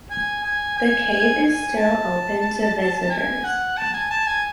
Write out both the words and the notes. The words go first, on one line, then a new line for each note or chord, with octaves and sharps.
The cave is still open to visitors.
G#5
G#5
G#5
G#5
G#5
A5
G#5
F#5
A5
G#5
A5
G#5